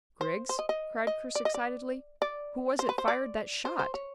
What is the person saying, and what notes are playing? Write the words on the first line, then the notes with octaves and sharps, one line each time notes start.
"Griggs," cried Chris excitedly, "who was it fired that shot?"
C5
C5
D#5
D#5
D#5
D5
D#5
D5
D5
C5
B4
C5
D5
C5
C5
C#5